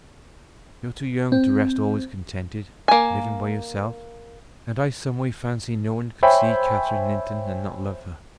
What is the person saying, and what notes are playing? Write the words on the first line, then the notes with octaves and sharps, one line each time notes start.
You're too young to rest always contented, living by yourself; and I some way fancy no one could see Catherine Linton and not love her.
C4
A#3 G#5
C5 C#5 E5 G5 G#5 B5